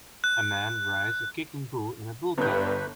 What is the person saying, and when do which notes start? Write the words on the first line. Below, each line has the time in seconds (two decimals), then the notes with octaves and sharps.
A man rides a kicking bull in a bullpen.
0.24 F#6
2.38 G1 G2 B4 G6